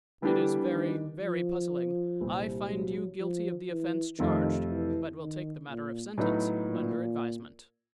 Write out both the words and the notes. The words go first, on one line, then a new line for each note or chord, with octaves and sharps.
"It is very, very puzzling-I find you guilty of the offense charged, but will take the matter of sentence under advisement."
D3 E3 G3 B3 D4 G4
D#3
F3
C2 A#2 G3 C4
F#3
F3
E3
F2 C3 D#3 F3 A3
E3
D#3
A#2
A2 F#3 B3 D#4
A#2